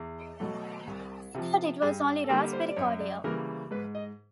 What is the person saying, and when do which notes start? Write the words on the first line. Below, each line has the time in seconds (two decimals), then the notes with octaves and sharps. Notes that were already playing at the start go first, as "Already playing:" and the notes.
I thought it was only raspberry cordial.
Already playing: E2
0.40 B2 F#3 A3
0.87 C2
1.34 C3 F3
1.82 G2 G#4
2.24 A4
2.29 D3 G3 A#3 A#4
2.53 C5
2.69 D5
2.76 F#2 C#5
3.00 D5
3.24 C#3 E3 G3 A#3 A#4
3.71 G#2 B4
3.95 D#5